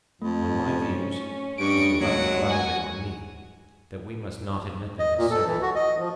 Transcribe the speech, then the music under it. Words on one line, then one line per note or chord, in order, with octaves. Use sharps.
On my views, if you like to father them on me; that we must not admit them is certain.
F2 A3
C#4
G2 D#5 C#6 D7
D#2 F#3 G#3 F#5
F#4 F#5 G#5
D#5
A#2
A4
E3
F#4
D#5
F3